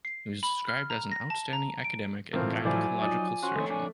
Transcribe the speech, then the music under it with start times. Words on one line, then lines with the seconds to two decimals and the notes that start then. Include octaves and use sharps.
He was described as an outstanding academic and gynaecological surgeon.
0.05 C7
0.43 B5
0.68 F6
0.90 A#5
1.11 A#6
1.30 A5
1.53 A#5
1.84 D7
2.33 F2 A2 E3 F3 C4 A#4
2.65 F#3 E4 C5 D5 G#5
3.02 F3 D#4 D5
3.43 C#4 F#4 C5
3.56 F2 D#3 A3 C4 C#5
3.70 D4 G#5